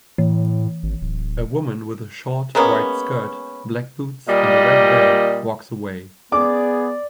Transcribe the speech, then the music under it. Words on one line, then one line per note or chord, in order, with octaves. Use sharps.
A woman with a short, white skirt, black boots and a red bag walks away.
A2 E3
G#1
D1
G#3 A#3 B3 C#4
A#2 G3 D#5
B3 G#4 D5 D6